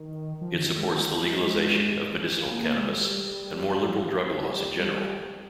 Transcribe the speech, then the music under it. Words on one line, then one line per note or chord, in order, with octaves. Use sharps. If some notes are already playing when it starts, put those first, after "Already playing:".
It supports the legalization of medicinal cannabis, and more liberal drug laws in general.
Already playing: D#3
F3
D#3
D3
D#3
G#3
A#3
G#3
G#3
A#3
A#3
A#3
G#3
G3
F3
D#3
G3
G3